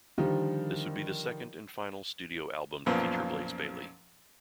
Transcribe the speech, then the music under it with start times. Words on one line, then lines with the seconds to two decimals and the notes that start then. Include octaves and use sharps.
This would be the second and final studio album to feature Blaze Bayley.
0.18 D3 D#3 F3 G3 D#4
2.86 B1 F#2 A#2 F3 B3